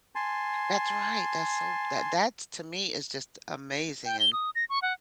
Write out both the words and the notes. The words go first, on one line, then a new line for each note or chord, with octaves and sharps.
That's right. That's so that that t to me is just amazing and
G#5 A5 C6
G5
G7
D#6
A#6
C#6
F#5